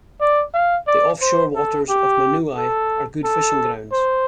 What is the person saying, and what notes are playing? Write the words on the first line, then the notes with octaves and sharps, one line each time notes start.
The offshore waters of Manuae are good fishing grounds.
D5
F5
D5
C5
A4
G4
A4
A4
C5